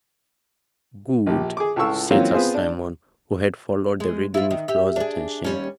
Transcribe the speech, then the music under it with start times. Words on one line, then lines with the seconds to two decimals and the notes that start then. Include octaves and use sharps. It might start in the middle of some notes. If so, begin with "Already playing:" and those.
"Good!" said Sir Simon, who had followed the reading with close attention.
1.27 A#1 G4
1.57 G#4 D6
1.76 C#2 A2 A3 F4 C#6 E6
2.11 E3 F#3 A#3 C4 C#4 F4
2.33 B3 C4 F4 G#4 C5
2.55 D4
4.00 G#3
4.34 E4 F4
4.51 D#3
4.68 G4 E5
4.96 D4 G#4
5.44 D#2 G3 C#4